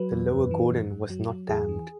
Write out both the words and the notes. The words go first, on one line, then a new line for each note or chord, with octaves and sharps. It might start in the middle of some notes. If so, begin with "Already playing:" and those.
The lower Gordon was not dammed.
Already playing: F#3 B4
E2
F#2
E3
F#2
F#2
F#3
F#3
E2 G#4
E3